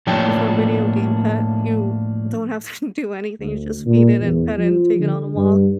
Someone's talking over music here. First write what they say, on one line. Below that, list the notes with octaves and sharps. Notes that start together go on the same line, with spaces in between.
with a video game pet, you don't have to do anything. You just feed it and pet it and take it on a walk.
A2 F3 A#3 D4 C#5 G5
D2
A#2
E2
F3
D3
G2